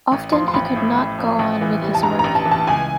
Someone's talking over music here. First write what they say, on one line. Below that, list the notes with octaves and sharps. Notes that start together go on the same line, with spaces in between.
Often he could not go on with his work.
A1
F3 C6
C6
A1 B5
A2
A1
F3
A1
E3
G3
A5
G2 A#5
A1 A#5
A5
E3
A5
C#2 G#5